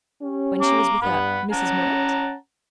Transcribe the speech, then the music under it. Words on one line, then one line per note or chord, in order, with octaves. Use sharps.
"When she was with a Mrs. Murrett?"
C#4 G4
A#5 D6
G2 F#5 B5
C#4 F#5 A5 A#5